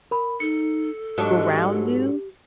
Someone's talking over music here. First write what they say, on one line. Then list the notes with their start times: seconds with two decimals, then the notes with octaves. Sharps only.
Ground News?
0.11 A#4 B5
0.40 D#4 A4 C#7
1.18 G#2 F#3 D4 G4